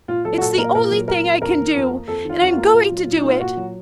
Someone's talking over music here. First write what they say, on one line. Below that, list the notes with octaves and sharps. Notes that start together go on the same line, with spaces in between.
It's the only thing I can do ... and I am going to do it.
A#2 F4
F#3 A4
F#4
A#2 A4
A#3 A#4
A#2 A#4
F#3
A#2 A#4
A#3
F2 A#4
D#3
F2
A#3
F2 A4
D#3 F4
F2
F#4
F4
A#3
A#2
F#3
A#2
D#4
A#3 F4
A#2 F#4
F#3